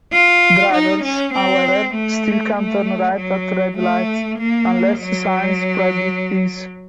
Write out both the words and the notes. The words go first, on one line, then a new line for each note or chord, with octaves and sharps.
Drivers, however, still can turn right at red lights, unless signs prohibit this.
F4
D#4
C#4
C4
A3
A3
F#3
A3
A#3
F#3